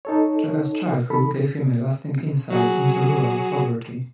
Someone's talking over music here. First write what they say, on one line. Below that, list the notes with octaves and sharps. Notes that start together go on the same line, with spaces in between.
Jagan's childhood gave him a lasting insight into rural poverty.
D#4 A4 C#5
D#3 A4 B5
F#3 F#4 G#4